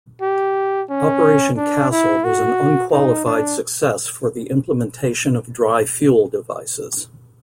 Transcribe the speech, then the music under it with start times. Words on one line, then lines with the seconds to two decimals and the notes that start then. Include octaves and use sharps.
"Operation Castle" was an unqualified success for the implementation of dry fuel devices.
0.22 G4
0.90 C#4
1.57 D4
1.91 E4
2.25 F#4
2.92 D#4
3.26 D4